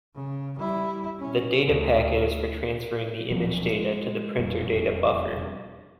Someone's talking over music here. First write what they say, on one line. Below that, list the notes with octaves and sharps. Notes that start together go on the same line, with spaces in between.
The data packet is for transferring the image data to the printer data buffer.
C#3
G3 E4
C#4
D2
D1 F3 F#3 C4
G#3
E1 F2 G3 A#3